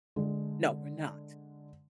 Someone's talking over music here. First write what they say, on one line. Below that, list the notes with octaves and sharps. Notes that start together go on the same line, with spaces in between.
No, we're not,
D3 G#3